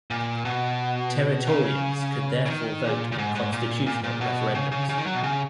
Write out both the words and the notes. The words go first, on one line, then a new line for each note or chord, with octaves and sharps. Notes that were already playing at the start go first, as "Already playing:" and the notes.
Territorians could therefore vote in constitutional referendums.
A#2
B2
C#3
C#3
D#3
A#2
A#2
G#2
G#2
A#2
A#2
A#2
B2
C#3
C#3
C#3
D#3
F#3
B2
C#3